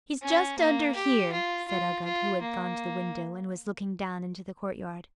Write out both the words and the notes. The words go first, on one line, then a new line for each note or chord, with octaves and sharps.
"He's just under here," said Uggug, who had gone to the window, and was looking down into the court-yard.
C#4
A#3
G4
F4
F4
F4
A#3